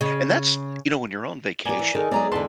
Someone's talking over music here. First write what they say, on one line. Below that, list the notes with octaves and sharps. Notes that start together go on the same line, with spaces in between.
And that's you know, when you're on vacation
C#3
B3 G4 A#4 D5 G#5
E3
D#3 D#4 G#4 A4
F#3 G#3 B3 G#4 D5 A#5
E2 D3 B4 A5 C6